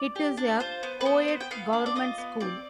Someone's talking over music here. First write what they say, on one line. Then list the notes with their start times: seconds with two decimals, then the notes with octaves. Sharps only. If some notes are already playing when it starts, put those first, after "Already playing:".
It is a co-ed government school.
Already playing: D5
0.16 G4
0.37 D4
0.60 F4 C5
0.83 B3
1.01 B4
1.05 B3 C5
1.28 B3
1.41 G5
1.51 B3 F5
1.73 D4
1.86 D5
1.96 F4 D#5
2.18 B3
2.40 C4 D5